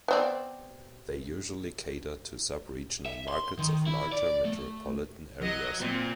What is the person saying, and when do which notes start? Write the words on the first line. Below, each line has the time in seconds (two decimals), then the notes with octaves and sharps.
They usually cater to sub-regional markets of larger metropolitan areas.
0.08 B3 C4 D5
3.06 E5
3.28 C6
3.59 D#3
3.87 E4
4.12 D5
4.45 A3
5.42 F#3 D#5
5.80 A#2 C4